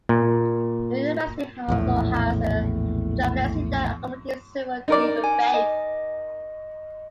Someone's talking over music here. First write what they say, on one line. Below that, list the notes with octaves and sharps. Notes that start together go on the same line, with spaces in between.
The university also has a Chaplaincy that accommodates several different faiths.
A#2
A#1 E2 A2
D#4 A#4 D5
G#5
D#5